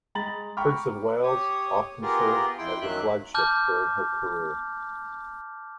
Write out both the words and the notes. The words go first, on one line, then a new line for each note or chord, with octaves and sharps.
"Prince of Wales" often served as a flagship during her career.
G#3 A#5 B5 A6 F#7
G5 A#5 B5 C#6 D6 F6
G4 C#5 D#6
B3 F4 G4 G#4 A#4
F2 E4 G5 C6
F#2 D#3 F#3 A#3 E5 F#6
A5 D6 F6 G6